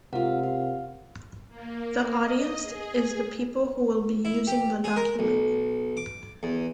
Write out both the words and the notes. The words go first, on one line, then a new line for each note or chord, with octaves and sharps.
The audience is the people who will be using the document.
G#2 C3 F4 A#4 F5 F#5
F4
A#3
D#5
G#4
E4
G4
G#4
A#4
B1
D6
E2